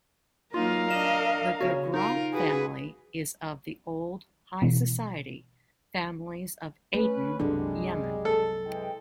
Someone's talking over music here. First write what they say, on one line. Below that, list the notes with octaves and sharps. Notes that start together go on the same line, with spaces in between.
The Girgrah family is of the old, high society, families of Aden, Yemen.
F#3 A#3 D#4 F4 A#4 F5
D4 D#5 E7
C#3 B3 F#4 C#5
D#4 F4 A#4
F#4 G#4 B4
B2 E3
A3 C#4 B4
C2 F#2 D3 G3 G#3
A4
E3 G#3 G5